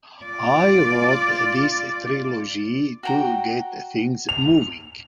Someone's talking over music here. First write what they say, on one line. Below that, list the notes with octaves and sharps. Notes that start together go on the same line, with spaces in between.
I wrote this trilogy to get things moving.
F4 D5
F#4 G5 A#5
F7